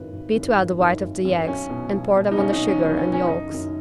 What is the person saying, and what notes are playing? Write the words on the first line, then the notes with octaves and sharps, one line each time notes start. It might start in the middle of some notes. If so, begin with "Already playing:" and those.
Beat well the white of the eggs and pour them on the sugar and yolks.
Already playing: G#1 F#2 D#3 B4
G#1
F#2 D#3
G#1
F#2 D#3
G#1
F#2 D#3
B1 C#4
B2
B1
B2
D#4
B1 C#4
D#4
B2
C#4
B1 B3
C#4
B2
C#4
F#1 D#4
F#2 D#3